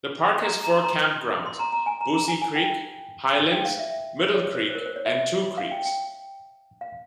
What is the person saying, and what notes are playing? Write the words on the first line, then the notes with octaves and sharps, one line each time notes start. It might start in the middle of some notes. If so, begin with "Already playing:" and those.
The park has four campgrounds: Boosey Creek, Highlands, Middle Creek and Two Creeks.
G#5
A#5
A#5
C6
A#5
C6
A#5
A#5
G#5
A#5
A#5
G#5
G#5
G5
G5
F5
E5
C#5
C5
C5
A#4
C5
C#5
E5
F5
G5
G5
F5